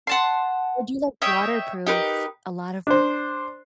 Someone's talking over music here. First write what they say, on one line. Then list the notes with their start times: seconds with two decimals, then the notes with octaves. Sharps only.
Or do like waterproof, a lot of
0.07 F#5 A5 C6
1.22 C#5 D#5 E5 G5
1.87 D#4 G4 A#4 B4
2.87 D4 C5